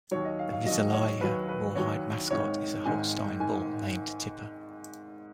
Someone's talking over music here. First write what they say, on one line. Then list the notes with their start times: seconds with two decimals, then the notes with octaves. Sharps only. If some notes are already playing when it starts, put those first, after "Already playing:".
The Visalia Rawhide mascot is a Holstein Bull named Tipper.
0.11 D#2 D#3 F#3 C#5
0.25 D#5
0.39 F5
0.52 F5
0.66 D#2 D#3 F#3 D#5
0.93 C#5
1.21 D#2 D#3 F#3 B4
1.49 B4
1.75 D#2 D#3 F#3 C#5
2.30 G#1 G#2 D#3 C#5
2.85 G#1 G#2 D#3 G#5
3.40 D#3 G#5